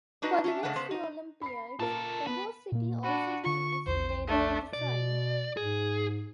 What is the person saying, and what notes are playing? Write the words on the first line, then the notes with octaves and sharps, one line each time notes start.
For the next few Olympiads the host city also chose the medal design.
D4 D#4 F#4 B4 D#5
C#4 D4 E5
C#3 E3 G#3 A3 D4 F#5
C#3 B3 C5
D#4
B5 C7
A#2 C#3 A4 A#4
B3 B4
A#2 A#3
D4 F#4 B5 C#7 D#7
D3 F4 C#6
A#1 E2 C5
A3 D4
B2 D5
G#2 G#4